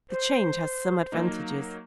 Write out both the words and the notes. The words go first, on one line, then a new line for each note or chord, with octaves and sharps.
The change has some advantages.
C5
F#3 A#3 D#4